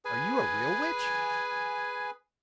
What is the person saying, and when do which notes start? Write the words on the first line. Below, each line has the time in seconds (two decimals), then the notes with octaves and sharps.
"Are you a real witch?"
0.05 G#4 B4 G#5